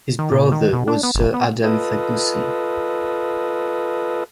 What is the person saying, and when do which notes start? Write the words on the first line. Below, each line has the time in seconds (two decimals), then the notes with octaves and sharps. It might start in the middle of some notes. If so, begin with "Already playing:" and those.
His brother was Sir Adam Ferguson.
0.19 D#3
0.32 A#2
0.52 D#3
0.73 B2
0.88 D4
1.03 B3
1.15 G1
1.34 B3
1.64 F4 A4 B4 D#5